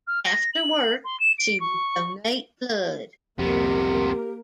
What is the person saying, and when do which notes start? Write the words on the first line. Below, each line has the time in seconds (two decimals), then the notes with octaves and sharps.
After work she would donate blood.
0.07 F6
0.25 A#6
0.53 F#7
1.04 C6
1.19 E7
1.38 D7
1.60 C#6
3.39 C2 F2 C3 A#3 B3 G4 A#4